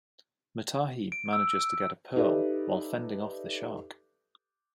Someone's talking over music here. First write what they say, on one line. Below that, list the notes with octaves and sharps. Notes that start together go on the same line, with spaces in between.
Matahi manages to get a pearl while fending off the shark.
D7
E6
D#4 G4 A4 B4 D5 E5